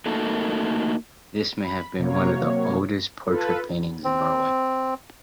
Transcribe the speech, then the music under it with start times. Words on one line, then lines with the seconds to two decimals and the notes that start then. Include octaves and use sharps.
This may have been one of the oldest portrait paintings in Norway.
0.06 A3 A#3 D#4 F#4 A4 A#4
1.64 B5
1.99 C3 F#3 A#3 C#5
3.28 F4 A4 B4
4.04 C4